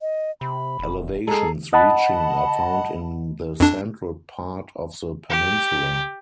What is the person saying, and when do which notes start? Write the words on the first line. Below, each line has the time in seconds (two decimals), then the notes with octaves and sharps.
Elevations reaching are found in the central part of the peninsula.
0.01 D#5
0.41 C3 B5
0.79 E1
1.27 G#3 G#4 A4 A#5
1.73 D#5 F#5 A5 B5
3.60 F2 D4
5.30 G4